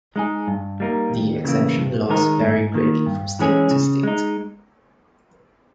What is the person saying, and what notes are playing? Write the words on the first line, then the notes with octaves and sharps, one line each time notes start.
The exemption laws vary greatly from state to state.
G#3 D#4 G#4
G2
G3 A#3 D#4 A#4
D#2
C#3 E3 A#3
G2
D#3 G#3 D#4 A#4
G#2
D#3 A#3
G2
E3 G#3 C#4 G#4
C#3
G#3 D#4